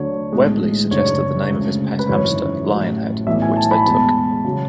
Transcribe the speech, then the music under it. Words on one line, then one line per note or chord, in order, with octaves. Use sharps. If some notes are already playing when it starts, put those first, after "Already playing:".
Webley suggested the name of his pet hamster, Lionhead, which they took.
Already playing: D2 D3 F#3 C#5
B1 A2 G#3
F#1 F#2 D3 F#3 C#5
D2 C#3 G#3
B4
G#1 F#2 E3 C#5
A1 A2 F#3
B1 A2 E3 E5
G#5
A5
B5
E2 B2 G#3 A5
C#3 F#3